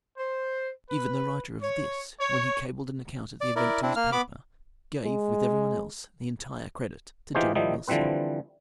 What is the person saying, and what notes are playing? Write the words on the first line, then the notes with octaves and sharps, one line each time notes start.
Even the writer of this, when he cabled an account of the event to his paper, gave, with every one else, the entire credit to General Wilson.
C5
B4
C#5
C#5
D5
E4 A#4 D5
C4 D4 E4
A#3 F6
B3 B5 D6
G#3
E3 D#4 F4 G4 G#4 C5
D#3 F3 G3 D#4 E4
D3 E3 F3 G3 C4 B4